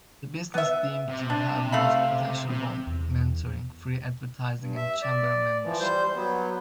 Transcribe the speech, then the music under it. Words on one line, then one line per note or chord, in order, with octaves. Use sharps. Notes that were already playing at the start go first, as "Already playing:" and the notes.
The businesses deemed to have most potential won mentoring, free advertising and chamber membership.
B3 E5
C3
D4
A3 F5 B5
C3
E2
G2
E5
D5
E3 F3
G3 C5 G6
F#3 B3